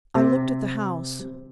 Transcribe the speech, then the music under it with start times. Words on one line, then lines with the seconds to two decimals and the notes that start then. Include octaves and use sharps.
I LOOKED at the house.
0.15 C3